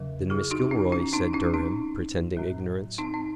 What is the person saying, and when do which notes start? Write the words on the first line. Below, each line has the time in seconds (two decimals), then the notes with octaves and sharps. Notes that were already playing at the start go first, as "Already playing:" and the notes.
"Then Mrs. Gilroy," said Durham, pretending ignorance.
Already playing: E2 C#3 F#3
0.30 E4 G#4
0.51 D#4 F#4
0.71 C#4 E4
0.92 C#4 E4
1.13 C4 D#4
1.33 C#4 E4
1.54 C4 D#4
2.37 A2 F#3
2.98 C4 D#4
3.14 C4 D#4